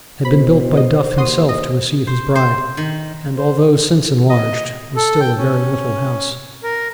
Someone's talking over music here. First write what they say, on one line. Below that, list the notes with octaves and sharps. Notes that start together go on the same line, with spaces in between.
It had been built by Duff himself to receive his bride, and although since enlarged, was still a very little house.
B2 C5 B5
C3 D#5
D#2 F#4 C6 D#6
D#5
C5
C5
D#3
C5
D#5
A4
G5
C#4
A#4